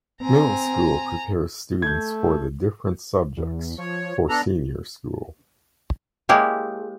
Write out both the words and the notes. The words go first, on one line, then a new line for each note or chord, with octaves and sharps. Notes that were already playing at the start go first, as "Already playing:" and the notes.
Middle School prepares students for the different subjects for Senior School.
C4 G#5 A#5
A3 G6 G#6
E2
F3 C#5
B3 D4 A4 A#5
G#3 A#3 E4 G4 C#5